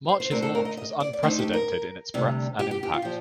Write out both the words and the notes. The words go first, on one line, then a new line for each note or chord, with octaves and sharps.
March's launch was unprecedented in its breadth and impact.
C5
C5
D3 A3 C4 A#4
A4
A#4
D#5
D#5
D5
D5
D2 D3 A3 D#4 C5
G4
A#4
D2 C3 G3
G4
G4
G4
F4
A#2 F3 G4